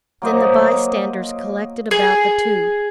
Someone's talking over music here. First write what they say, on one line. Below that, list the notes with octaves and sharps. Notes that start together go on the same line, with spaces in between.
Then the bystanders collected about the two.
F#3 A#3 C5 D#5
G#4